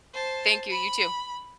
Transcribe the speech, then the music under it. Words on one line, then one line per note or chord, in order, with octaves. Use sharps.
Thank you. You too.
C5 A5
B5